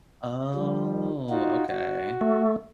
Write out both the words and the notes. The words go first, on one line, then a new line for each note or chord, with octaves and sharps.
Oh, okay.
F3 G3
D#4 F4 F#4
F#4
A3